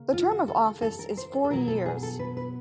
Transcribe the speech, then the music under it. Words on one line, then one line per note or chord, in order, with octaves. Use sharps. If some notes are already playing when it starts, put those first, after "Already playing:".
The term of office is four years.
Already playing: C#3 A#3
F4
F#4
A4
A4
A4
A#4
C5
A4
A4
B2 F#3 B3 A#4
A4
G#4
A4
B4
B4